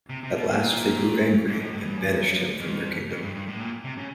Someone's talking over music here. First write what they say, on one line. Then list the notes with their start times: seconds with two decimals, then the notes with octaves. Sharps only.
At last they grew angry and banished him from their kingdom.
0.10 C3
0.23 C3
0.36 B2
0.48 A#2
1.48 G#2
1.60 A2
1.73 G2
1.85 G2
1.97 F#2
2.60 F2
3.10 F2
3.22 G2
3.35 G2
3.48 A2
3.60 A#2
3.84 C3
3.97 C#3